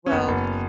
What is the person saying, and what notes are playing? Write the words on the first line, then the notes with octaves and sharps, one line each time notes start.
Well, y
C#4
F#1 B3
F#1